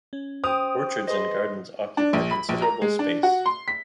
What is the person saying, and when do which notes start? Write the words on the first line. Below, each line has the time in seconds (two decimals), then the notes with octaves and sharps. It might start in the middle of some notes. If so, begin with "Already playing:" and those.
Orchards and gardens occupy considerable space.
0.13 C#4
0.44 C5 G5 D#6
1.07 G#4 B4 C5 D#5 C6
1.97 D4
2.13 A#1
2.31 B5
2.49 A#1
2.62 A#5
2.82 G#3
2.99 D4
3.23 F#4
3.46 C6
3.68 B6